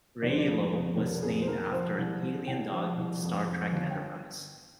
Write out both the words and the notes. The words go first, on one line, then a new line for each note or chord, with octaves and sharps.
Railo was named after an alien dog in Star Trek Enterprise.
F1 D5
C5
D5
F2
F2
F1 A#4
A#4
F2 G#4
C5
F1 A#4
F3 C5
C2
C2
C2 G5
F3
C2
F2
F2
G1
G5